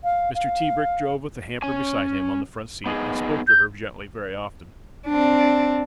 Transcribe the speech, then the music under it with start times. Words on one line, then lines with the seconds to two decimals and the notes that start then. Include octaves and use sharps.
Mr. Tebrick drove with the hamper beside him on the front seat, and spoke to her gently very often.
0.04 F5
0.35 F5
1.62 C#4 G#5
2.86 B3 D#4 G#4
3.48 G6
5.07 C4 D4